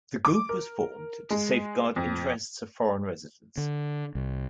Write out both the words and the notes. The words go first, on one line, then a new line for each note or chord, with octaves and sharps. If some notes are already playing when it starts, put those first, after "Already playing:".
The group was formed to safeguard interests of foreign residents.
D6
A#4
G#3
F2
D3
C2